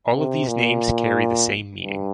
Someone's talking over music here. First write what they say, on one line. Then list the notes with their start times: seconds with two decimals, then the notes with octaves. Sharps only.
All of these names carry the same meaning.
0.14 C3
0.48 A#2
1.81 G2